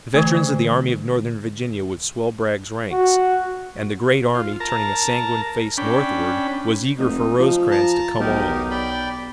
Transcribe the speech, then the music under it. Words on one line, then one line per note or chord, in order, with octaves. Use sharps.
The veterans of the Army of Northern Virginia would swell Bragg's ranks, and the great army, turning a sanguine face northward, was eager for Rosecrans to come on.
D3 E3 A3
F#4
F4
A#4 A5 A#5
C#4 D4 G5 B5
F1 D#4
F3
A5 A#5
B1 D#4 G4 A#4
D5 G5 B5